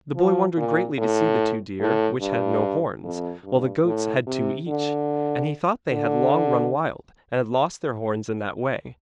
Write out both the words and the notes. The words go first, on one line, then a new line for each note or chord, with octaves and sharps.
The boy wondered greatly to see the two deer which had no horns, while the goats had two each; and he thought they had long run wild, and had lost their horns in that way.
F3
A#2
A2
A2
G2
F2
G2
A2
C3
D3
D3